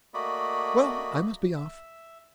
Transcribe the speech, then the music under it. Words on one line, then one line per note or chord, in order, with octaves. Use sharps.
Well, I must be off.
A3 A#3 F#4 D5 D#5 B5
E5